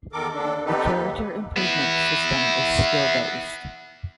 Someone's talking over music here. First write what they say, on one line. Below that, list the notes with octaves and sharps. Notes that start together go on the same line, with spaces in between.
The character improvement system is skill-based.
E2 D#3 A4 A#4 D6
D#2 D3 D4 A4
B3 C4 D#4 G4 A4 B4
D#2
B3 E4